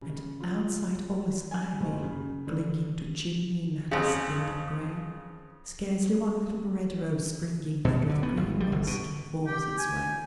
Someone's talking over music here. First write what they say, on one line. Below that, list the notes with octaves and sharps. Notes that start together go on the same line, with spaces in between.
And outside all is ivy, clinging To chimney, lattice, gable grey; Scarcely one little red rose springing Through the green moss can force its way.
C#3
F4
G#5
F#1
C#3
D3
F2 C#3
B2
D3
B3
G#1
G3
G1
B2
G4
G#5